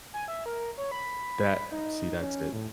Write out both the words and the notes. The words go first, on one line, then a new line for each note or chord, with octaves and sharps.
That see, that's it.
G#5
E5
A#4
C#5
B5
D#4
C#4
A2